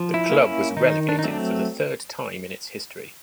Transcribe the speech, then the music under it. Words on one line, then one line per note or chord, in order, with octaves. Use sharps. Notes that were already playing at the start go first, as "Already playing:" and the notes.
The club was relegated for the third time in its history.
Already playing: F3
E4
A#3 C#4
E4
D#3 D#4
D4
D#4
F#3 A3 C4 D4